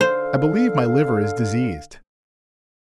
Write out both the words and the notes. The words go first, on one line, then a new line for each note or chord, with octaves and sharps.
I believe my liver is diseased.
D3 A4 C5 F5